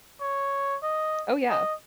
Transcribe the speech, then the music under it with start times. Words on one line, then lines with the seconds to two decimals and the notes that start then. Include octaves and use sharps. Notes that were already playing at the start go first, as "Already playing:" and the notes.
Oh, yeah,
0.21 C#5
0.83 D#5
1.50 D#5